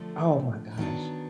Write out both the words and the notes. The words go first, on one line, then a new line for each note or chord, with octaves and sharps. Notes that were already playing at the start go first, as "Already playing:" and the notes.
Oh my gosh.
Already playing: D3 F3 A3 D4
D#3 F#3 B3 D4